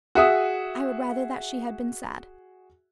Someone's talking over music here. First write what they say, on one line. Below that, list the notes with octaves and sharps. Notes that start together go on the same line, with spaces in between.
I would rather that she had been sad.
F#4 G#4 E5 D#6